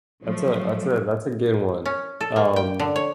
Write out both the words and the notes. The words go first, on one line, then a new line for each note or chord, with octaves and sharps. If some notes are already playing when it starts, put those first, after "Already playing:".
That's a that's a that's a good one. Um,
F3 F#3 A3
C#4
A4
A#3
G5
D3
C#5